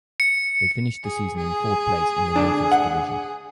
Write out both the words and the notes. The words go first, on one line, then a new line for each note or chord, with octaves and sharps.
They finished the season in fourth place in the "Northeast Division".
C#7
G#4
G#4
D3 D4
F#5